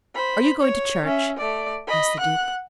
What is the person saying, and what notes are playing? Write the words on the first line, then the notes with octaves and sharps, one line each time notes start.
"Are you going to church?" asked the Duke.
C5 B5
C#5
C#4 E5
A3 D5
D#5 B5
F#5 F#6